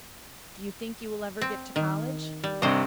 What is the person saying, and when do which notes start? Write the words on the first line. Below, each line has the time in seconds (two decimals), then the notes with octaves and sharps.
"Do you think you will ever get to college?"
1.41 C4
1.76 D#3
2.44 G3
2.62 C2 G2 C3 C5 D#5